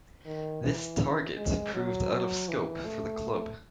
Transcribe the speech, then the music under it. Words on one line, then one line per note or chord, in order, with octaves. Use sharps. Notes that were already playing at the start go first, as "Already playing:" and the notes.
This target proved out of scope for the club.
D#3
E3
G#3
F#3
F#3
E3
A3